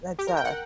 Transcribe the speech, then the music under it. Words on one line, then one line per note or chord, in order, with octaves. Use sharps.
that's a
G4
A#4
G5
F#5